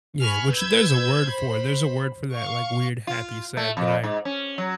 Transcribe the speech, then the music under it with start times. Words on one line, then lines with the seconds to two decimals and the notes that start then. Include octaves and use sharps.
Yeah, which there's a word for there's a word for that, like, weird, happy, sad that I,
0.20 G#5 B5 C#6 F6
0.51 B4 E6 G6 G#6
1.26 C5 B5
2.34 F5 C#6
3.07 F4
3.57 A3
3.77 F2
4.03 G#2
4.25 C#4
4.58 F#3